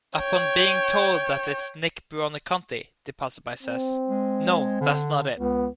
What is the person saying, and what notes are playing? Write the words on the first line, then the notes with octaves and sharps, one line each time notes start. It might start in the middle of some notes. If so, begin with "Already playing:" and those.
Upon being told that it's Nick Buoniconti, the passerby says, No, that's not it.
C#5 G5
C4
G#3
D3
C#2 B3